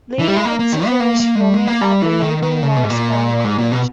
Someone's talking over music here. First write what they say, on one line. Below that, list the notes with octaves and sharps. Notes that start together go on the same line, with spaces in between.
Lee had to finish filming at the neighboring Morris Brown College.
E3
G3
G#3
A#3
A#3
D#3
B3
A#3
A#3
G#3
G3
G#3
A#3
G3
E3
D#3
D#3
C#3
B2
G#2
A#2
G#2
A#2
B2